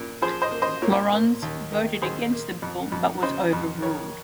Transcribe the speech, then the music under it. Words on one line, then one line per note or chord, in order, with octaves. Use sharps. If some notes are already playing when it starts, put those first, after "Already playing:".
Laurens voted against the bill but was overruled.
Already playing: A#2
F3 G#4 C5
C5 D#5
A#3
C5 D#5
A#2 A#4 C#5
A#3
D#2
D#3
D#2 G#4 C5
A#3
F2
F2
C#3 C5 D#5
F2
D#3 A#4 C#5